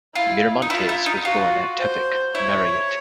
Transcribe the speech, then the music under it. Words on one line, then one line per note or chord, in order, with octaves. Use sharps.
Miramontes was born at Tepic, Nayarit.
E4 F4
D#4
E4 F4
E4
D#4
F4 F#4
C5
E4 C#5